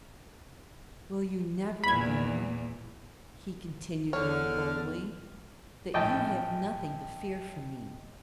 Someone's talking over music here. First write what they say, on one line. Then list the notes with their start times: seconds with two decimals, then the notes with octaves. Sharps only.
Will you never learn,' he continued more boldly, 'that you have nothing to fear from me?
1.84 E2 A#2 B5 G#6
4.13 E2 D3 C#5 F6
5.94 A#1 A2 D#5 G5 A5